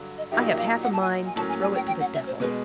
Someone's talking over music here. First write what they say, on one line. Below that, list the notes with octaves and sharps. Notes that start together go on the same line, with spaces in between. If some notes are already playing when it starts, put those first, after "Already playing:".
I have half a mind to throw it to the devil.'
Already playing: G2 D3 F#3
D#5
A#2 F#3 A#3 D#4 G4 E5
E5
F5
F#5
A5
G#5
G#5
A2 F#3 A#3 C#4 A5
G#5
G#5
G5
G5
F#5
E5
C5
B2 G#3 B3 B4